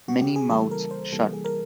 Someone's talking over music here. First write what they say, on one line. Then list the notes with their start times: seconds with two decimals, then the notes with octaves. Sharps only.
Many Mouths Shut!
0.08 F#4
0.21 G4
0.36 G#4
0.50 C#3 E3 G3 A#3 A4
0.71 A#4
0.91 C5
1.12 C3 E3 G3 A#3 A4
1.33 G#4
1.45 A#4